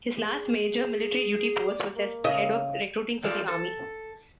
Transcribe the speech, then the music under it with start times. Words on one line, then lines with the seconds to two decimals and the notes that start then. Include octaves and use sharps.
His last major military duty post was as head of recruiting for the Army.
0.17 G#4
1.68 D5
1.96 A#3
2.24 C#3 D#5 E5
3.24 F3 F4 A4 D5
3.48 A4